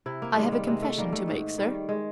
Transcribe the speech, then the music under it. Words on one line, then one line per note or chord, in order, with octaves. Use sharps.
I have a confession to make, sir.
C3 E4
A#3
D#3 G3 G#3
G3
C3 G#3
A3
D#3 G3 A#3
A3
G#2
D#3 G3
G#3